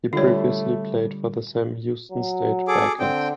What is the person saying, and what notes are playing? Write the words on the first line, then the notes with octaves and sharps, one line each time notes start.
He previously played for the Sam Houston State Bearkats.
D3 G3 A3 F4 C#5
F#3
G#4 A4 D6
D3 C4 G5